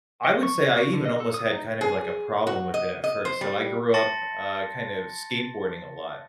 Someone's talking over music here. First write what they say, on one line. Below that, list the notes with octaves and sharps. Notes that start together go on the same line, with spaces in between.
I would say, I even almost had kind of, like, a problem with it at first So I grew up, uh, kind of, skateboarding a lot,
D#5
C#6
C#5
F#4
D3
D#5
A4
D#6
D#4
G#4
F#4
D#5
D#5
C5
G3
A5 C6 A6 A#6 C#7